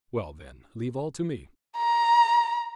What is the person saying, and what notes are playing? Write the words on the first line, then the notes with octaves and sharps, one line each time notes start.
"Well then, leave all to me!"
A#5